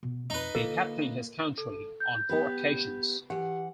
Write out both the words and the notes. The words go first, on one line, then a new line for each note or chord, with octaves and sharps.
He captained his country on four occasions.
B2
F2 D#4 B4
D3 A#3 F4 A4
A4
G6
B3 G4 B4
E3 G4 F#5